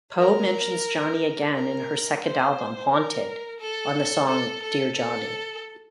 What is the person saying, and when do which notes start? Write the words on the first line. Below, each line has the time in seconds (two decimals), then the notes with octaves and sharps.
Poe mentions Johnny again in her second album, "Haunted", on the song "Dear Johnny".
0.19 A#4
1.55 A#4
2.23 C5
2.91 A#4
3.60 A4
4.28 A4
4.62 A4
4.96 A4